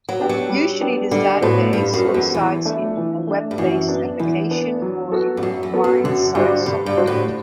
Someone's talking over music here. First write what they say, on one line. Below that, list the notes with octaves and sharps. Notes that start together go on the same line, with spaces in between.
Usually this database resides in a web-based application or in client-side software.
F#3
B3 D4 G4
F#3
G3
B3 D4 G4
D3 G3
A2 B3 F#4 A4 C5
G2 G3
F#2
B3 F#4 A4 C5
E2
E2 E3
A3 D4
E3
A3 D4
G2
F#2 E3
B3 D4
E2 E3
B3 D4
F#3
B3 F#4 A4
G2
F#2 F#3
E2
B3 F#4 A4
F#2
F#2 D3
G2 G3 D4 F#4 C5
G2 D3
G2
G3 D4 F#4 C5
A2